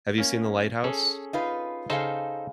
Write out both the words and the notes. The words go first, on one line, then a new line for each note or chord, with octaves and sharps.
Have you seen The Lighthouse?
A#3 C#4
C#4 G#4 A4
D#4 F4 B4
C#3 D#4 G#4 A4 C5 F5